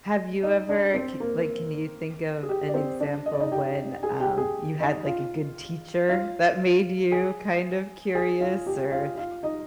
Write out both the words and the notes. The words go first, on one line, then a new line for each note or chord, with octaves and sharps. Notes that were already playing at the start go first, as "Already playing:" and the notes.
Have you ever k like, can you think of an example when, um, you had, like, a good teacher that made you kind of curious or,
D#4 D#5
D4 D5
C4 C5
A#3 A#4
G#4
G4
D5
C4 C5
D4 D5
D#5
D5
D#4 D#5
G4 G5
G#4 G#5
G4 G5
G#4 G#5
D#4 D#5
F4 F5
F4 F5
G#4 G#5
G#4 G#5
F4 F5
G4 G5
F4 F5
F4 F5
D#4 D#5